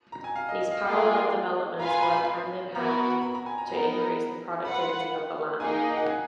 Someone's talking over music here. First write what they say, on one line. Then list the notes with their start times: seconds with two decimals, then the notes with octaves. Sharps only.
These parallel developments worked hand in hand to increase the productivity of the land.
0.12 A#5
0.24 G#5
0.36 F5
0.49 D#5
0.61 D#5
0.72 F5
0.84 A#3 F4 G#4 F#5
1.79 F4 B4 F5 G#5 A#5
1.90 A#5
2.02 B5
2.14 B5
2.74 B3 F#4 A#4 A#5
3.22 B5
3.35 A#5
3.46 G#5
3.58 A#5
3.69 B3 D#4 A#4 A#5
4.65 F4 B4 F#5 B5
5.60 A#3 D#4 G#4 G#5
5.85 D#5
5.97 F#5
6.07 G#5